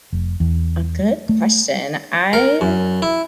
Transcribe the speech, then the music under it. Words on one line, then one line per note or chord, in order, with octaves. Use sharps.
a good question, I
F1
E2
A3
A#4
F#2
E4